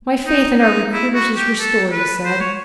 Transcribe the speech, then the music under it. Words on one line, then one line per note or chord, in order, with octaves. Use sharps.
"My faith in our recruiters is restored," he said.
D#4
D#4
E4
F#4
G4
A4
B4
C5
C#5